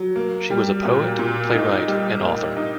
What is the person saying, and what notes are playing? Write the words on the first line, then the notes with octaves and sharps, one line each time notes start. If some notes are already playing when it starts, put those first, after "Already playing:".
She was a poet, playwright and author.
Already playing: F#3
A#3
G3
A#2
A#2
D#4
G3
A#3
D#4